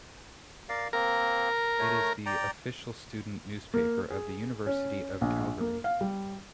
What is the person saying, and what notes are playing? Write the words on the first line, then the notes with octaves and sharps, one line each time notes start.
It is the official student newspaper of the University of Calgary.
A#4 D5 F5
A#3 C4 A#4
A3 C#5
D5 G5 A#5
A#3
G#4
C#4
A#1
A#3
F5
G3